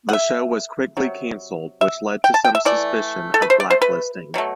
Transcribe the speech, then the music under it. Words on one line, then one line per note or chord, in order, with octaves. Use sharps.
The show was quickly cancelled, which led to some suspicion of blacklisting.
F#5
E5
C3 F#3
E5
G5
A5
G5
E5
E3 A3 D5
A4
B4
C5
D5
C5
B4
B2 F#3 A3